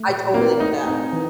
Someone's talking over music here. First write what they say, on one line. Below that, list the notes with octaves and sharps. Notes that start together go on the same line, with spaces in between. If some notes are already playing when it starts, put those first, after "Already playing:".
I totally get that.
Already playing: A3
A#2
A#3 C4
A3 D#4
C4 D#4
E3